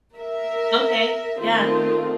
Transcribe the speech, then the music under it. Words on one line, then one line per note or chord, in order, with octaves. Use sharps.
Okay, yeah.
A#4 E5
D#3 A3 C4 F4